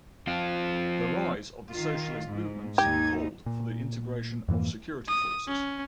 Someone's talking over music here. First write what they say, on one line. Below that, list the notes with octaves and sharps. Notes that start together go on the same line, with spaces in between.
The rise of the socialist movements called for the integration of security forces.
F3 C4 F4
D#3 F4
G#2
D#2 D#4 G4 G#6
A#2
F2 G#2 E3 A#3
D#6
C#4